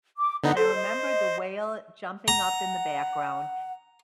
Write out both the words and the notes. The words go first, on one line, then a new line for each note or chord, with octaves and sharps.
and I remember the whale jumping up in the background
D6
D3 B3 D#4 F#5
A4 C5
D#5
F#5 A#5